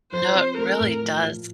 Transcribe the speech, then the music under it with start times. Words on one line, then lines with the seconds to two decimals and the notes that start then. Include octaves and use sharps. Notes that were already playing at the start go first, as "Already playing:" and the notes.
No, it really does,
0.12 F3 C5
0.35 C4
0.57 A3 A#4
0.80 A2
1.03 F3